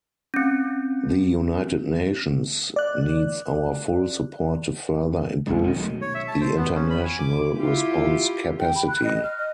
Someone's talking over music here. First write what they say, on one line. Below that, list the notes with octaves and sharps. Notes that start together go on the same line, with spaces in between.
The United Nations needs our full support to further improve the international response capacity.
C4 C#4
D5 F#6
F#1 G2 G#3 C#4
B2 D#3
F#3 G3 A3
C#5
E5
A5
C5
B3
C#4
B5
G#5
D6
E4 F4 G4
G5
B5
F#6
D#5
F6
D#5